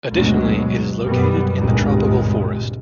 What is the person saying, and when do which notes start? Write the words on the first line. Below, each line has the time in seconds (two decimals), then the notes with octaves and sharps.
Additionally, it is located in the tropical forest.
0.13 D2 G2 B2 F#3 G#3
1.05 F#2 B2 G3 B3
1.59 G#1 C#2 G2 A#2 G3 G#3